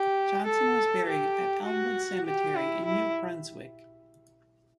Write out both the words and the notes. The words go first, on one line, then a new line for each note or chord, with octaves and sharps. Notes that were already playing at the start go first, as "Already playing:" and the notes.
Johnson was buried at Elmwood Cemetery in New Brunswick.
Already playing: G4
A4
G4
F#4
G4
E4
E4